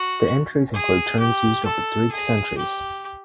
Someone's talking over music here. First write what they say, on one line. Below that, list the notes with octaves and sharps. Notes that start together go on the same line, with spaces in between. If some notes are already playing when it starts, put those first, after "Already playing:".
The entries include terms used over three centuries.
Already playing: F#4
G#4
G4
A4
G#4
G4